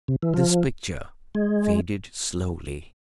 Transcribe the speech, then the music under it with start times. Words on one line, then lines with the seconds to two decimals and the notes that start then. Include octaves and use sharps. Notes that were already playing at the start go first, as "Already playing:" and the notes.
This picture faded slowly.
0.08 C3
0.23 E3
0.34 F3
1.35 G#3